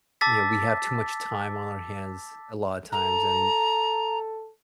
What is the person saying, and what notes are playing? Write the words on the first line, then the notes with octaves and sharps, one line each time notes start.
you know, we have too much time on our hands a lotta times and,
A5 D6 E6 A6 B6
A4 A#5